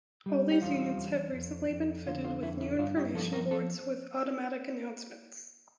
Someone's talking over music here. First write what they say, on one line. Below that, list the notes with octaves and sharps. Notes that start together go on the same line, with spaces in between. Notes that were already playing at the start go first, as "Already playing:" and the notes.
All these units have recently been fitted with new information boards with automatic announcements.
G3
G4
E2 F4
E2
F2
F2
D3 F4
F4
F2 E4
E4
G2 F4
G4
F3 A4
A#4
A4